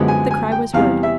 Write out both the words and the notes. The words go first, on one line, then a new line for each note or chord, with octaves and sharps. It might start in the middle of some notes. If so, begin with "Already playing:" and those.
The cry was heard.
Already playing: F#2 D3 F3 G#3 B3
G#5
G#5
G5
E2 C3 E3 G3 B3 F5
E5